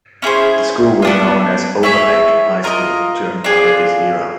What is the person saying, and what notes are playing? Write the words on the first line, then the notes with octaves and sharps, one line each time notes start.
The school was known as "Overlake" High School during part of this era.
C#4 E4 G#4 C5
B3 D4 F4
E4 G#4 C#5 E5
F4 A#4 D#5
D4 F4 G#4